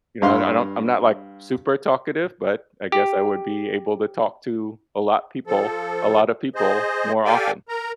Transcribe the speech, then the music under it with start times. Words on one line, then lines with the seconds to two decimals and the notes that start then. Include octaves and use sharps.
you know, I don I don't I'm not, like, super talkative, but I guess I would be able to talk to a lot people a lot of people more often.
0.22 G2 F5 C6
2.92 G4
5.47 F3 A4
6.55 G#4 C5 D#5
7.25 G4 A4 D5 F5 G5 G#5
7.69 A#4 A#5